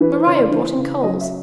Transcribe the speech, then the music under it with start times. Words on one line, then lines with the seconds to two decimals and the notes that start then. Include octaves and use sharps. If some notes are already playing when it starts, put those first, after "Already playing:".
Maria brought in coals.
0.01 E3 B4
0.14 C5
0.26 C#3 C#5
0.39 D5
0.51 E3 C5
0.78 C#3
1.03 F#3 D#5
1.21 E5